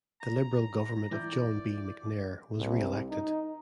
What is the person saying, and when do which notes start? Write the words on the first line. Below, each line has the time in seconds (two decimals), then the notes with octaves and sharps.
The Liberal government of John B. McNair was re-elected.
0.21 A#5
1.11 E3 D5 G6
2.59 C2
3.09 D#4